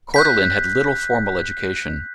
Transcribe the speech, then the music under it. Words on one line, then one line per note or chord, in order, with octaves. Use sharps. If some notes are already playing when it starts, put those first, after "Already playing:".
Kordelin had little formal education.
F#6 G6 B6